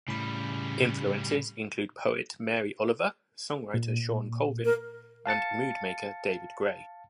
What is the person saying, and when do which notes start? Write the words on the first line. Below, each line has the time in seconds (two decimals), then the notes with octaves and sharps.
Influences include poet Mary Oliver, songwriter Shawn Colvin, and mood maker David Gray.
0.08 A2 C#3 G3 B5
3.74 A#2
4.65 A#4
5.26 F5 A5 A6 C#7